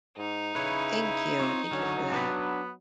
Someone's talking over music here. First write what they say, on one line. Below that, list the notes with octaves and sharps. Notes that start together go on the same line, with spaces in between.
thank you, thank you for that,
G#2 D#4
C#3 E4 B4 C#5
C4 F4 C#5
D3 F#3 C#4
B3 D4 B4 B5